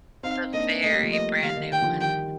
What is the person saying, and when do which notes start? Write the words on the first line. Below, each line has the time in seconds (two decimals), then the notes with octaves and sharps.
The very brand new one.
0.23 C4 D#4 F5
0.53 A#3 D4 D#5
0.83 A3 C4 D#5
0.92 G3 A#3
1.03 F3 A3
1.13 D#5
1.42 D#3 G3 F5
1.57 D#3 G3
1.72 D#3 G5
1.82 D3 F3
2.01 D#3 G3 G5